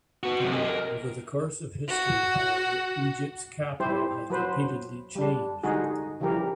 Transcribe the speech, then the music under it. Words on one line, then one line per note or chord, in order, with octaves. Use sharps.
Over the course of history, however, Egypt's capital has repeatedly changed.
B3 F#4
F#2 C3
G4 D#5
A#4
F#4
G3 E4 G4 C5
F#3 B4 C5
G3 D4
D3 G3 G#3 D#4 F#4 G#4
C#3 E3 F3 G3 G4 A#4